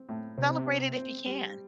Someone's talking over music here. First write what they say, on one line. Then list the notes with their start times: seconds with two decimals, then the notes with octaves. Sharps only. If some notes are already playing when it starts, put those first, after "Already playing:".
celebrate it if you can.
Already playing: C4
0.09 A2
0.38 C3 C4
0.67 C4
0.96 C4
1.26 G3